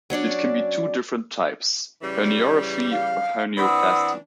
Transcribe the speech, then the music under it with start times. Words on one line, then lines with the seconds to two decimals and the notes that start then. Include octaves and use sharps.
It can be of two different types: herniorrhaphy or hernioplasty.
0.10 F#3 C#4 D4 D5
2.02 C#3 E3 G3
2.91 F5
3.57 E3 C4 D4 F#5 B5 D#6 E6